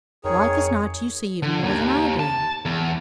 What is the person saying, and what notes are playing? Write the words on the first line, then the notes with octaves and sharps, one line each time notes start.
"Like as not you see even more than I do!"
F2 D#3 G#4 C#5
D3
D#2
A5
E2